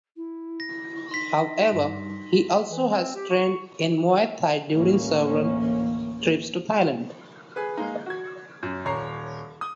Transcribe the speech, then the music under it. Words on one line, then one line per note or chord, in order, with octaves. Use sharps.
However, he also has trained in Muay Thai during several trips to Thailand.
E4
A#6
D#4 C6 B6
G2
E3
C4
G4
C#6
A1 D2 A#3 C#4
G#4 B4
G#3 A#3 D#4
F#4 G#6
F#2
D#1 C#5 A#5 C7
D#6